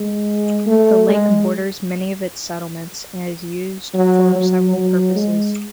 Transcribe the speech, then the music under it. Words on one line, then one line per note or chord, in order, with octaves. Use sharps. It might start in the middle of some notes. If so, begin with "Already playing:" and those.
The lake borders many of its settlements and is used for several purposes.
Already playing: G#3
A3
G#3
F#3
F#3
F#3
G#3